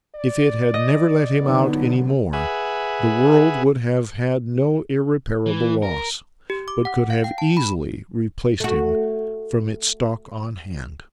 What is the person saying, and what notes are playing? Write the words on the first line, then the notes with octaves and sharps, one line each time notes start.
If it had never let him out any more, the world would have had no irreparable loss, but could have easily replaced him from its stock on hand.
D5
D#5
D3 F#3 B3 D#4
G#4 B4 E5 F#5 G#5
E3
A#4
G4
D6
F#5
F5
G5
A5
B5
A3 F#4